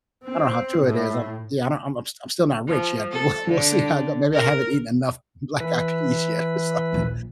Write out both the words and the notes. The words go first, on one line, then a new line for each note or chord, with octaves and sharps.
I don't know how true it is. I'm yeah, I'm I'm st I'm still not rich yet, but we'll we'll see how it go maybe I haven't eaten enough black-eyed peas yet or something,
C4
A2
F3
A4
D3
A#4
E3 B4
A#1 D#2